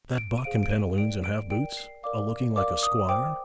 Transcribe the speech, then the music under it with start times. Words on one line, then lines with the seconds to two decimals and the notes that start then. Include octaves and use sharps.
'That buck in pantaloons and half-boots--a looking like a squire?'
0.18 D7
0.38 D#7
0.44 G#4 C5 F5 D7
0.63 D7
0.71 D#7
0.97 A#4 D5 G5 D7
1.24 D7
1.50 A#4 D5 G5 D7
1.77 C7
2.03 A#4 D5 F5 D6
2.56 A#4 D5 F5 D6
2.83 D#6
3.09 C5 G5 D6